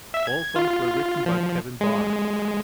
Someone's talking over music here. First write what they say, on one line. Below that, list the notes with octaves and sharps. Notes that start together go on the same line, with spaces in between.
All songs were written by Kevin Barnes.
E5
G#6
F4
F3
G#3